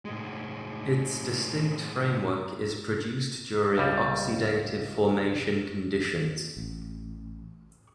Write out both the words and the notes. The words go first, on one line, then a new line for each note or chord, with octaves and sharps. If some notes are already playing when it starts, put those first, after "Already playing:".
Its distinct framework is produced during oxidative formation conditions.
A2 G#3
C#2 G3
A1